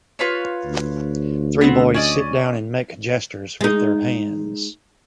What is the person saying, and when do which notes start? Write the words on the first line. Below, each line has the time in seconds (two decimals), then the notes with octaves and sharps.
Three boys sit down and make gestures with their hands.
0.19 F4 B4 C#5
0.65 D2
1.61 B3 C4
1.94 C#4 D5 D#5
3.61 G#3 D#4